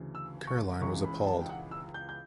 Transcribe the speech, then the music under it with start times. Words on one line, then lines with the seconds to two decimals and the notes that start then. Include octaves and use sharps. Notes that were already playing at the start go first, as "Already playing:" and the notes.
Caroline was appalled.
Already playing: D2 C#3 E3
0.15 E6
0.47 C#6
0.81 C#2 C#3 E3 C#6
1.04 B5
1.27 A5
1.41 G5
1.49 F#5
1.71 E6
1.94 G6
2.09 G6